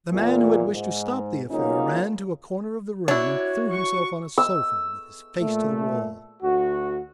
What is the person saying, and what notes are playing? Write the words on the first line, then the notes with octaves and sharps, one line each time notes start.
The man who had wished to stop the affair ran to a corner of the room and threw himself on a sofa with his face to the wall.
E2 A#2
G#2
C#3 F#3 A#3 C#4 D#4 F4
D4 E4 F#4 C#5
C#6
E6
A#2 A3
D2 F#4